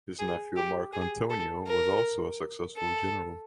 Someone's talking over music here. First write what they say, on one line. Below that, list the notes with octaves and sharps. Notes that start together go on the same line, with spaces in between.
His nephew Marcantonio was also a successful general.
G#4
G4
G#4
A4
A#4
A4